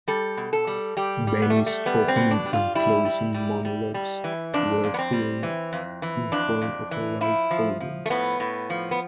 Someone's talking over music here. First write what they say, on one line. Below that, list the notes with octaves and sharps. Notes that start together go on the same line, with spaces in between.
Benny's opening and closing monologues were filmed in front of a live audience.
G3 A4
B2
A4
G3
G3 G4
G3
B3
A3
G3
A3
G3 B3
C4
B2
D4
G3
F4
G3 E4
G3
G3
G3
G3
E3
F2 D4
F2
B3
C4
G3
E3
F2
E3
F2 D4
F2
E3
F3 E4
F3
F3
A3
A2 B3
A2
F3
B3